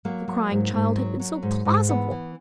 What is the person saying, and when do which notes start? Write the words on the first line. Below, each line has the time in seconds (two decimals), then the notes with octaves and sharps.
The crying child had been so plausible!
0.05 F#3 A#3
0.28 F#3
0.51 G#2
0.74 G#2
0.96 F#3
1.19 F#3
1.43 G#2
1.65 G#2
1.88 E3 B3
2.11 E3